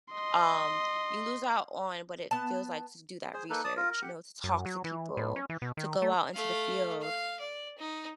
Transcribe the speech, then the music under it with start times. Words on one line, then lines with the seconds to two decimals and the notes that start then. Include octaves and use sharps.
Um, you lose out on what it feels like to do that research, you know, to talk to people, to go out into the field.
0.12 D#5 C6
2.31 B3 A5
3.33 G#4 C5
3.50 A#3 D#4 A4 B4
3.64 D5 A5 D#6
3.77 F4 A#4
3.90 A#4
4.02 G4 F#5
4.44 F#2
4.66 F#3
4.84 E3
5.17 A2
5.36 C#4
5.50 E3
5.62 B2
5.77 D#3
6.02 A3
6.34 A3 F5
7.01 F5
7.40 D5
7.78 D#4